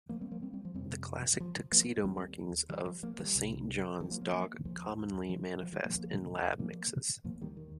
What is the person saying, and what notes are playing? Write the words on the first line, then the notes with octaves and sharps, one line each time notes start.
The classic tuxedo markings of the Saint John's dog commonly manifest in Lab mixes.
F3 A#3
G3 C4
F3 A#3
G3 C4
G3 C4
F3
F2 C3 G3 C4
F3
F3 A#3
D#2 G3 C4
D#3 G3
F3
F3 A#3
D#3 G3
C2 C3
D#3 G3
F3 A#3
F3 A#3
F3 A#3
D#2 F3
F3
F3
D#3 G3
F3 A#3
D#2 F3 A#3
F3 A#3
D#2 F3 A#3
D#3 G3
D#3